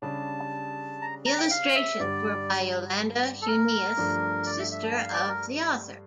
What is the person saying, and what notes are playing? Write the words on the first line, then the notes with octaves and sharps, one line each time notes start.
The illustrations were by Yolanda Huneeus, a sister of the author.
C#3 G3 D4 G4 A5
A#5
A#5
G5
F5
E5
G2 D3 G3 D5
A4
A#4
G2 F3 A3 D4
D5
E5
E5
A5
F5
D5
A#4